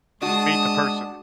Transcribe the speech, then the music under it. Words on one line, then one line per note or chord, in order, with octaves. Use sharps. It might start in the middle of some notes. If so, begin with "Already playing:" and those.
meet the person.
G#3 D4 F#4 A5 D#6